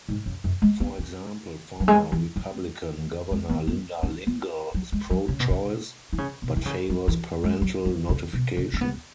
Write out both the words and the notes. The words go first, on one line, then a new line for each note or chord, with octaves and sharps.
For example, former Republican Governor Linda Lingle is pro-choice, but favors parental notification.
G#2
F#2
F#2
G#3
B3
C#4
F#3
G#3
E3
F#3
G#3
B3
B3
C#4
B3
F#3
G#3
F#3
C#3
B2
C#3
E3
C#3
B2
E3
C#3
F#3
E3
G#3
F#3
F#3
C#3
B2
C#3
C#4
B3